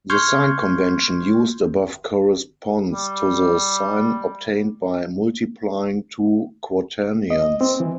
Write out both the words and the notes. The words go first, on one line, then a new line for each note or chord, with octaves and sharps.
The sign convention used above corresponds to the signs obtained by multiplying two quaternions.
C6 C#6 F6 G6 G#6
G3
D#5
C4
E3